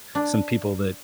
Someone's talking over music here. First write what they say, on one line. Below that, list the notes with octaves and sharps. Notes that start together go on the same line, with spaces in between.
some people that
D4